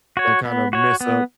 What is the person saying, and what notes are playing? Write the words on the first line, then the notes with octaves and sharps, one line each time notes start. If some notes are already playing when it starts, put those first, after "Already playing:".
that kind of mess up
F#4 C#5
B3
F#4 C#5
B3